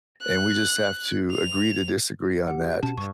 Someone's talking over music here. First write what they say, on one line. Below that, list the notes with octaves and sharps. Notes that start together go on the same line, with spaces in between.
and we just have to agree to disagree on that.”
F#6
F7
G4 F#5
B2 C#4 A5
G2 C#6